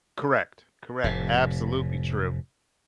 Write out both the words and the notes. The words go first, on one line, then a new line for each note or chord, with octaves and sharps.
Correct, correct, absolutely true.
F1 A2 C3